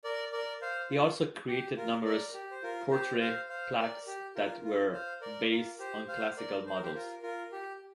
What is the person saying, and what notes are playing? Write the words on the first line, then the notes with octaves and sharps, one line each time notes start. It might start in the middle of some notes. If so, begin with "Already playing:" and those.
He also created numerous portrait plaques that were based on Classical models.
A#4 D5
A#4 D5
C5 F5
F4
G4
F4 A#4
A#4 D5
G4
C5
F4 A#4
G4 C5
C5 F5
C5 F5
A#4 D5
G4
F4 A#4
F4
C5 F5
A#4 D5
F4 A#4
G4 C5
C5 F5
A#4 D5
C5
A#4
G4 C5
F4 A#4
F4 A#4
G4